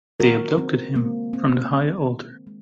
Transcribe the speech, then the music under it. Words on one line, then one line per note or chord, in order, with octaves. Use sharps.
They abducted him from the high altar.
D#3 F#3 A#3 F#4 A#4
C4
C#3 G#3 A#3
C4
D#3 A#3
G#3